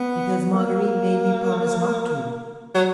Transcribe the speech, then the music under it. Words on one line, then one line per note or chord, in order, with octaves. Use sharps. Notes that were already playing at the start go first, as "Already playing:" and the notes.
"Because Marguerite made me promise not to."
Already playing: B3
A#3
F#3